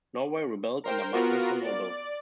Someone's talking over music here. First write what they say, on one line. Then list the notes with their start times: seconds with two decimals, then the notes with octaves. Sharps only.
Norway rebelled under Magnus the Noble.
0.84 A#4 C5 G5
1.13 B3 F4 F#4 A#4
1.64 D5